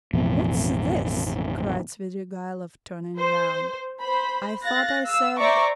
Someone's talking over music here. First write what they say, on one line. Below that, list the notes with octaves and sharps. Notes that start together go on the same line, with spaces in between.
"What's this?" cried Svidrigailov turning round, "I thought I said..."
A1 F2 B2
C5
C5 B5
F5 F#6 A6 A#6
F5 E6
C5 D5 E5 A#5 C#6 D6